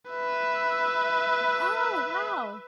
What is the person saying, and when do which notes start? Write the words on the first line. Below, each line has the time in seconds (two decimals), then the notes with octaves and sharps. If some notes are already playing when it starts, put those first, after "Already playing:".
Oh, wow.
0.10 B4 E5